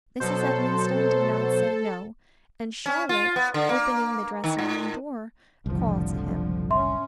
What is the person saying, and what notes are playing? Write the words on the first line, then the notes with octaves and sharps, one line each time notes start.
Mrs. Edmonstone did not say no; and Charlotte, opening the dressing-room door, called to him.
B2 F#3 A4 C5
C#4
F4
B3
D3
A#3
D#3
A2
F#1 C2 A2 D3 F3
C#4 E5 C6